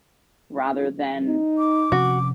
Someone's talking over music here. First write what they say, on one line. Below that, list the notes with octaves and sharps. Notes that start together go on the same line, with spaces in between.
rather than
D#4
D6
C3 F3 C#4 F#4